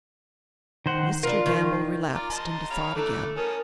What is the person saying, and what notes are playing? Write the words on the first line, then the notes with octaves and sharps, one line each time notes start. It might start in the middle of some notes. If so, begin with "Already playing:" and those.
Mr. Gamble relapsed into thought again.
D#3 C5 F#5
D4 F4 A#4
D#3
F4 D5 A#5
D#5 A5 C6
C#5 F5 B5
E3 A3 D4 A4
C#4 A#4 A5 D#6